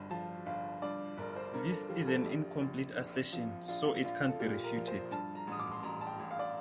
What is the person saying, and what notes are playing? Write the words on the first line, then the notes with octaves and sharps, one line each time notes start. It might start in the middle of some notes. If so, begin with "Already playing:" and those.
This is an incomplete assertion, so it can't be refuted.
Already playing: G1 G2
F3 A5
G1 F5
G2 D5
G1 A#4
C5
G2 A#4
A4
F3 G4
A4
A#1 G4
A#1
A#1
F3
A#1 F4
A#1 F4
A4
A#2 G4
A#4
F3
C5
G2 A5
A#5
A1 D#6
D6
C6
A1 A#5
A5
G5
A1
F5
D5